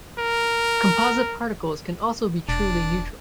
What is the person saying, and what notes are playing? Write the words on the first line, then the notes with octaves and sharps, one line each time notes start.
Composite particles can also be truly neutral.
A#4
E1 D4